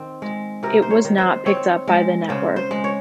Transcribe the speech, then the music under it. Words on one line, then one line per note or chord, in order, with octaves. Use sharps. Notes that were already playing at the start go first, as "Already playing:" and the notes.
It was not picked up by the network.
Already playing: D#3 C4
G#3
C3 A#4
C5
C#5
D#3
C5
C4 C#5
G#3
C#3 C5
C5
G#3
C#5